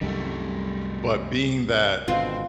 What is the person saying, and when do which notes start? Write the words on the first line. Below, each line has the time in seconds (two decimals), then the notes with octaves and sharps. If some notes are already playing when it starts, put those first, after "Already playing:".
but being that
0.01 C2 F#2 D#3 G3 A3
2.08 G#1 B2 D3 C4 F4